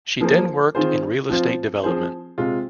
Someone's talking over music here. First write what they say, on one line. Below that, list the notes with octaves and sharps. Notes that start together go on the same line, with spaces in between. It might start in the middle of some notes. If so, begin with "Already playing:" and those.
She then worked in real estate development.
F3 A#3 G#4 C5
D#3 C4 F4 G#4 C5
F3 C4 F4
F3 C4 G#4 C5
C3 G#3 F4